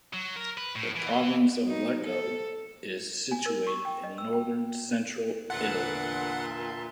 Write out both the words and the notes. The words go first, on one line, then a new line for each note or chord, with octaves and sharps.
The Province of Lecco is situated in northern central Italy.
F#3
A#4
B4
A2
E3
F#3 D#4
A4
G#5
A#4
C#6
G5
D#5
E6
G5
E2 A#2 D3 B4 E5 F#5 A5 C6